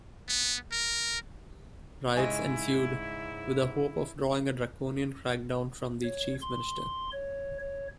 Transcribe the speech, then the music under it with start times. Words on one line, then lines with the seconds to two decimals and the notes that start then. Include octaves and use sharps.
Riots ensued, with the hope of drawing a draconian crackdown from the Chief Minister.
0.29 B3
0.72 A#4
2.17 G#2 C#3 G#3 E4 D#5 G#5
6.04 C#5
6.42 C6
7.13 C#5
7.60 C#5